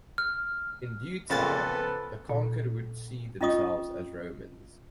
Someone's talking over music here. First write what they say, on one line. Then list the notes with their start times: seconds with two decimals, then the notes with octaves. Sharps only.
In due time, the conquered would see themselves as Romans.
0.18 F6
1.30 F2 A#2 C#3 A#3 B3 A4 B4 A6
2.30 A#2
3.41 C#4 D#4 F4 D#5 C#6 D#6